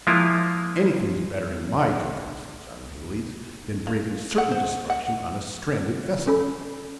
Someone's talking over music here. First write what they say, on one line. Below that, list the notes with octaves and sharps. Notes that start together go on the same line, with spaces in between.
"Anything is better, in my judgment," said John Mangles, "than braving certain destruction on a stranded vessel."
F3 G#3 A#3 E4 F4
A#3
F#5
C5
F#5
C#4 A4 B5